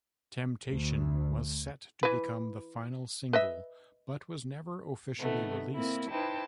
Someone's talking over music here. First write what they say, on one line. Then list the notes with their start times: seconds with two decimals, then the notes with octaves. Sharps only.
"Temptation" was set to become the final single but was never officially released.
0.70 D2
2.03 E3 B4
3.33 B4 D#5 E5
5.19 C3 D#3 A3 B3
5.72 A#3 C4 E4
6.09 D#4 E4 B4 C5 G5 A5